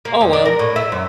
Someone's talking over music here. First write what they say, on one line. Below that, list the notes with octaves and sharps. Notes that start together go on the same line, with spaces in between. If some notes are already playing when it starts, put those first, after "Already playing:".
Oh, well,
A#3
F2
D4
A#4
A2
E5
F#2